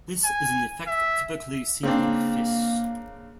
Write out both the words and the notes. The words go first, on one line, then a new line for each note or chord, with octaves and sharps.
This is an effect typically seen in fish.
G#5
E5
C#3 A#3 C4 D4